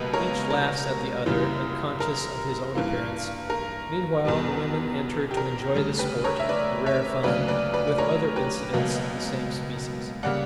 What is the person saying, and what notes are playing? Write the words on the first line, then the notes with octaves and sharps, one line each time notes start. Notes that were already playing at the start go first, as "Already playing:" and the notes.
Each laughs at the other, unconscious of his own appearance; meanwhile the women enter to enjoy the sport, "the rare fun," with other incidents of the same species.
Already playing: C#2 B2 G3 A#3 B4
A#4 C#5
A#4
F#2 C#3 E3 G3 A#3
A#4
G2 E3 A#3
A#4
E2 B2 G3
G4
A#4
D2 C#3 G3
G4 B4
A#4 C#5
E5
B4 D5
C#5 E5
D2 C#3 F#3 A#3 B4 D5
B4 D5
B4 D5
D5
A#4 C#5
G4 B4
C#2 B2 F#3 A#3
C#3 G3 A#3 D5 F#5